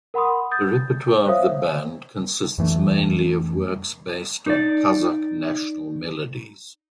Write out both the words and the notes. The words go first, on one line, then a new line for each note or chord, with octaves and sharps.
The repertoire of the band consists mainly of works based on Kazakh national melodies.
A#4 F#5 B5 C6 D#6
D#6 G6 A6
C5 C#5 E5 F5 D#6
F2 E3 A3 D4
D#4 D5